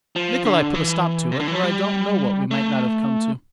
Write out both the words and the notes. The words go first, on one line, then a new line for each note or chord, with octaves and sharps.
Nikolay put a stop to it, or I don't know what we might not have come to.
F3
D3
E3
C3
D3
E3
F3
G3
A3